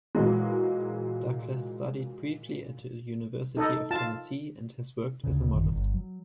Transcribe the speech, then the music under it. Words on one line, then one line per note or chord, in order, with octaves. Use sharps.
Douglas studied briefly at the University of Tennessee and has worked as a model.
A#2 E3 F#3 G#3
D#4 A4 D#5
F4 A5
D2 C#3
A1 F#2 D3 D#3
G1
F#3